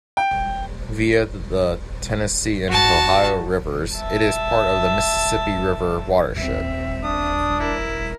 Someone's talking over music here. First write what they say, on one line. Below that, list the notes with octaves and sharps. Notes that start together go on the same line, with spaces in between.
Via the Tennessee and Ohio rivers, it is part of the Mississippi River watershed.
G5
F#4 A5
E5 A5
D#1 C4 E5
D4 D#6
E4 A#4